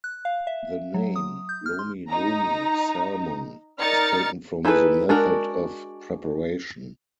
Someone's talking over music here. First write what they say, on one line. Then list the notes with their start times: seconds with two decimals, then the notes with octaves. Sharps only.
The name "lomi-lomi salmon" is taken from the method of preparation.
0.04 F#6
0.25 F5
0.47 E5
0.94 F#3
1.16 D#6
1.49 G6
1.66 F6
1.79 C6
2.09 D#4 A#5
3.80 D#4 A#4 D5 F6 A6 C#7
4.65 D#4 E4 G#4 A4 B4
5.09 G#3 D4 F#4 A#4